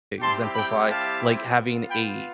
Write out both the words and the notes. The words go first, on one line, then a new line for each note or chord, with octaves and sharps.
exemplify, like, having a
G3 C4 E4 G4 A5 C6
G5 B5
F5 A5
B3 F4
G5 B5